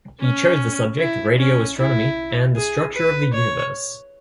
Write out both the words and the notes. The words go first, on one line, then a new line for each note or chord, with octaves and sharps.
He chose the subject 'Radio Astronomy and the Structure of the Universe'.
C#4
E4
C#4
E4
G#4
B4
C#5